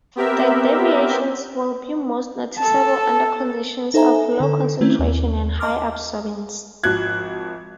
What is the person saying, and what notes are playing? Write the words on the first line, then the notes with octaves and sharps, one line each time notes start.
The deviations will be most noticeable under conditions of low concentration and high absorbance.
B3 C4 G4 A#4 E5
A4 A5
D#4 A4 C5 E5 G#5 A#5
D3 A4
D#3 A3 C4 C#4 E4
D#2
D#5 A5 C6 D6 F6
G#1 F3 F#4 F#6 G#6